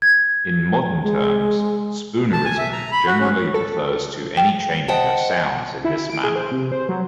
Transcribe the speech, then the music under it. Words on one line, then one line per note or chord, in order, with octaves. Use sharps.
In modern terms, "spoonerism" generally refers to any changing of sounds in this manner.
G#6
G#3
A5
G#5
E5
A#5
B5
F#4
C#4
A4
G5
C5 D#5 F#5 G5 A5
E4
D7
G#4
C5
C3
C5
F#3